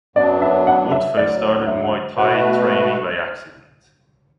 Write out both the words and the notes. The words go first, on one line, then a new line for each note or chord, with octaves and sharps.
Wood first started Muay Thai training by accident.
F#2 F#3 B3 D4 D5
E5
F#5
E5
D2 D3 F#3 D5
E5
F#5
B2 A3 F#4 B4 F#5